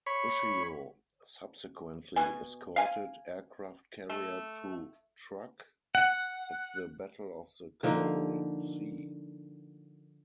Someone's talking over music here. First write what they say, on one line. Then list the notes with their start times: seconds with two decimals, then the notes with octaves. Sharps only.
"Ushio" subsequently escorted aircraft carrier to Truk, at the Battle of the Coral Sea.
0.06 C#5 B5
2.16 B2 G#5
2.76 F5 G#5
4.10 A3
5.95 F#5
7.83 D3 F3 A#3 D#4